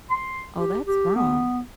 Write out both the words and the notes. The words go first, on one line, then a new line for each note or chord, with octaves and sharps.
"Oh, that's wrong,"
C6
G4
G4
B3